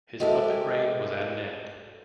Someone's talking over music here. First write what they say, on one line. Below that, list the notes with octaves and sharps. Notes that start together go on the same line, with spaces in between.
His puppet reign was at an end.
G#3 F#4 G4 A4 A#4 E5